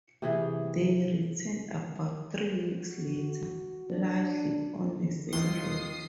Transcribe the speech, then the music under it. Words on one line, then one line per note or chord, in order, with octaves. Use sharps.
They returned about three weeks later, largely on the same route.
C3 E3 G#4
F#4
D4
D#2 C4 D#4 F4 D#5 C6 D#6 C7